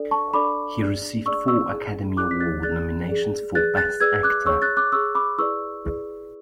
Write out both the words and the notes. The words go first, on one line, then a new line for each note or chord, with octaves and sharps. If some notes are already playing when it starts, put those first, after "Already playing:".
He received four Academy Award nominations for Best Actor.
Already playing: D4 A4 D5
A5 C#6
D4 A4 D5 B5 D6
D4 G#4 D5
D4 G#4 D5 C#6 E6
C#6 E6
E4 G#4 D5
E4 G#4 D5 D6 F#6
B6
F#6 A6
G#4 D5 F#6 A6
G#4 D5
G#4 B4 D5 F#6 A6
F#6 A6
G#4 B4 D5 E6 G#6
D6 F#6
G#4 C#5 C#6 E6
F#6 A6
D6 F#6
G#4 C#5 C#6 E6
B5 D6
E4 G#4 B4 D5 C#6 E6
E4 G#4 B4 D5